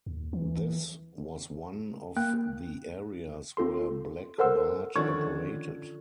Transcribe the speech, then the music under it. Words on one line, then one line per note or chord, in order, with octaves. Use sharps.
This was one of the areas where Black Bart operated.
D#2
E3
A#3 G5 F#6
C4 F4 A4 C6
A4 A#4 C5 F#5 C6 E6
D3 D#3 F3 C#4 C#6 G#6